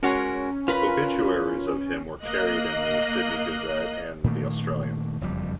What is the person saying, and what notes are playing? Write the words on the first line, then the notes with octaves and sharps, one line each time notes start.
Obituaries of him were carried in the "Sydney Gazette" and "The Australian".
G#3 C#4 F#4 A#4
F4 A#4 B4 B5
A#3 D#5 F#6
A#2 D#3 A3 A#3
F#1 F2 G3